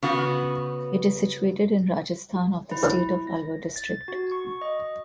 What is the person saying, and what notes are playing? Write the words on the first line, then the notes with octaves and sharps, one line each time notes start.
It is situated in Rajasthan of the state of Alwar District.
C#3 B3 F#4 B4
E4
A#6
A6
F#4
C#6
D#5